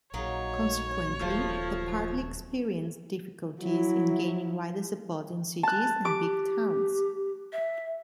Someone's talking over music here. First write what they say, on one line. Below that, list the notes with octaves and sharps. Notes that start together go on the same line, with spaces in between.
Consequently, the party experienced difficulties in gaining wider support in cities and big towns.
A#1 F#3 A#3 D#4 C#5
D#1 F3 A3 F4
F#3 E4
A5 F#6
G4 D6
E5